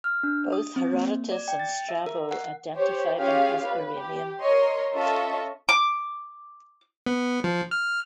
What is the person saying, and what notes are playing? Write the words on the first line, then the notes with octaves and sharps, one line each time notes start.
Both Herodotus and Strabo identify them as Iranian.
F6
D4
D#6
C4
A#3
D5
G5
A6
E5
A#4
F#5
G4 C5 C#5
C#4 F4 G4 G#4 F5
B4
G4
A#4 C#5 D#5 C6
C#4 F4 A4 D#5 E5 C#6
D6
B3
F3
F6